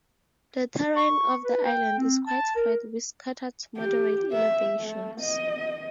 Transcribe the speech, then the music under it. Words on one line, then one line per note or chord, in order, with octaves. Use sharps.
The terrain of the island is quite flat with scattered moderate elevations.
C#6
B4
G5
C4
A5
A#4
G4
E5
A3
D#5